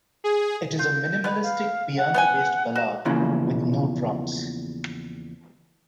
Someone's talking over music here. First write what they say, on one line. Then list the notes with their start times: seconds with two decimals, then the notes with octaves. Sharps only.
It is a minimalistic piano-based ballad with no drums.
0.24 G#4
0.79 F4 G6
1.24 B3 B4
1.43 F5
1.97 F#5
2.14 B3 G5 G#5
2.76 F#4 E7
3.05 E2 A#2 C#3 E3 F3